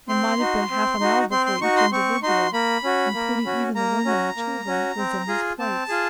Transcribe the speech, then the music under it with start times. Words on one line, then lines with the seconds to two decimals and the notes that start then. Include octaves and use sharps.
It might have been half an hour before each individual, including even the women and children, was in his place.
0.09 C4 C6
0.39 D#4 F#4
0.70 C4
1.01 D#4 F#4
1.31 C4 C6
1.46 C6
1.61 D#4 F#4 C#6
1.77 C6
1.92 C4 C#6
2.22 D#4 F#4 C6
2.53 A#3 B5
2.84 C#4 F#4
3.14 A#3
3.45 C#4 F#4
3.75 A#3 A#5
4.05 C#4 F#4
4.37 A#3
4.67 C#4 F#4
4.97 C4
5.28 F4 G#4
5.59 C4 A5
5.89 F4 G#4